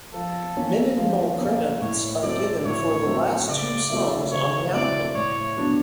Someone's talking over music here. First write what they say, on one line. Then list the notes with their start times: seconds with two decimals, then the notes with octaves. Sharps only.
Mininmal credits are given for the last two songs on the album.
0.13 F3 A4
0.56 A#3 C#4
0.98 F3
1.39 A#3 C#4
1.81 A2 C#5
2.23 F#3 A3 C4 D5
2.65 A2 C#5
3.06 F#3 A3 C4
3.48 C#3 D5
3.90 F#3 A3 C4 E4
4.31 C#3 C#5
4.73 F#3 A3 C4 E4 D5
5.15 A2 C#5
5.57 F#3 B3 D4